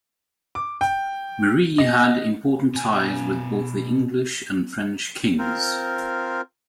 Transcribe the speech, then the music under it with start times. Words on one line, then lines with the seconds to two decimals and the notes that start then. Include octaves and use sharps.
Marie had important ties with both the English and French kings.
0.55 D6
0.81 G5
1.78 D#5
2.75 B2 G#5
5.39 C4 F4 A#4 C5